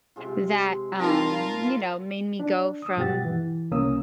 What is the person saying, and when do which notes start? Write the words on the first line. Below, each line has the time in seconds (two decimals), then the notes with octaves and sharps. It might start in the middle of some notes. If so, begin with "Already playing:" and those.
that, um, you know, made me go from,
0.16 C3 G#3 F4
1.00 F3 G3 C4 D#4 F4 A#4
2.40 D4
2.82 D#6 E6
2.97 G2 B2 G4 F#5 A6
3.25 E3
3.71 C2 C#3 A#3 C#4 D#6 E6